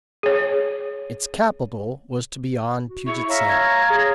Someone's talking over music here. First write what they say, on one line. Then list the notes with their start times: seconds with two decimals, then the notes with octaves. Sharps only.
Its capital was to be on Puget Sound.
0.23 G#4 C#5
2.89 F#4
3.07 E4 G#4 C#6
3.30 C#5 E5 F5 A#5
3.49 G#6
3.90 G#4